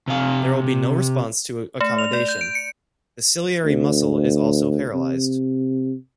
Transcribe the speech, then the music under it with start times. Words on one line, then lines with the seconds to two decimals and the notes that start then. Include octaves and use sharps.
There will be no response to accommodation - the "ciliary muscle" is also paralyzed.
0.08 C3 F5
1.81 A3
1.98 F7
2.13 D5
2.28 G6
2.41 D7
2.55 C#7
3.65 D2
4.94 C3